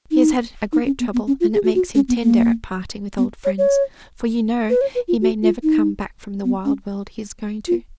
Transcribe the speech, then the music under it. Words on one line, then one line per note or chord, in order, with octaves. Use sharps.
He has had a great trouble, and it makes him tender at parting with old friends; for you know he may never come back from the wild world he is going to.'
D#4
D#4
C#4
B3
B3
C#4
F4
G#4
F#4
F#4
C#4
B3
A#3
B3
C#5
C#5
B4
C#5
B4
F4
F#4
F4
D#4
B3
C#4
F4